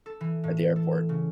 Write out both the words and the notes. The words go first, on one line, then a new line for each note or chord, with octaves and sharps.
at the airport,
A4
E3
A2
A4
C#3